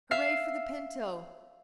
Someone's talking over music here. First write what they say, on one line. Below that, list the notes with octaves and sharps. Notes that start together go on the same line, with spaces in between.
"Hooray for the Pinto!"
E5 F5 C7